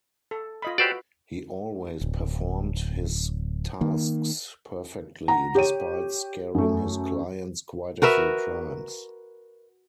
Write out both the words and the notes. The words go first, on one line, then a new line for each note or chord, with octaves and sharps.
He always performed his tasks perfectly, despite scaring his clients quite a few times.
A4
F4 D#5 B5
F#4 G4 B4 C5 D5 E6
D1
D#3 A#3
F#5 A#5
G4 C#5 D#7
F#2 A3
F#4 A#4 B4 E5